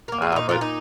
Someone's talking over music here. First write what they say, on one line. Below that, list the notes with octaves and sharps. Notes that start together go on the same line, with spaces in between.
Uh, but
A#3 A#4
G#4
A#2 D#4
A#2 F4
D#4